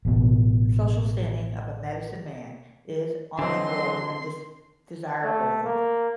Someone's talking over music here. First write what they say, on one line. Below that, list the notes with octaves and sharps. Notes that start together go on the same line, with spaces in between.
The social standing of a medicine-man is, on the whole, a desirable one.
A1 B2
D3 E3 F#3 C4 D#5 C6
A3
A#3